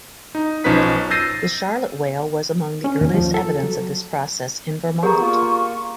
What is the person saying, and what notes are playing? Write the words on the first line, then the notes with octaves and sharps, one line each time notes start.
The Charlotte whale was among the earliest evidence of this process in Vermont.
D#4
B1 F3 C#4 D#4 B4 B6
E6 G6 A6 A#6 C7 D#7
C#4
D#2
F3
A4
F#3
B3 G4 G#4 A#4 D5 F#5 A#5 C#6
A#3 F4